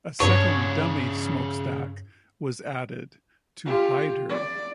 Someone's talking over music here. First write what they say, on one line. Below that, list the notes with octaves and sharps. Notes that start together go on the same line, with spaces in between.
A second dummy smokestack was added to "hide her".
G2 C#3 D4 C#5
F4 G4
D5